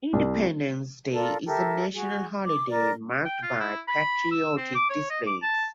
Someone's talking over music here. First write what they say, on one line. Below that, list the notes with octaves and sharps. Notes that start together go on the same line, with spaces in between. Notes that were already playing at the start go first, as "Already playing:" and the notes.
Independence Day is a national holiday marked by patriotic displays.
C2
F4 A4 A#4 D5
G4 A4 A#4 E5
F#4 G#4
D6
A#4 D5
G5
F4
E4
B5
E6
C4
D6
C#5
D#5
D6
A5